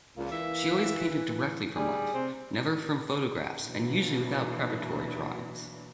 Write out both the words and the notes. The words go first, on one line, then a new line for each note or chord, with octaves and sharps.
She always painted directly from life: never from photographs and usually without preparatory drawings.
C#2 A#2 A#3
E3 E5
G3 G#4
C3 C4
B2 E3 F#3 A#3 D4